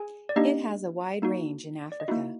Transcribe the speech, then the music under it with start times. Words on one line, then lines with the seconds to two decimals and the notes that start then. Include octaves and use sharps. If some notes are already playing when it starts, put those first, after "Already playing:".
It has a wide range in Africa.
Already playing: G#4 G#5
0.29 D5
0.36 A#3 D4 D#4 G4 D#5
1.22 A#3 D#4 F#4
1.92 D5
2.00 D#5
2.08 A#3 D#4 E4 F#4 E5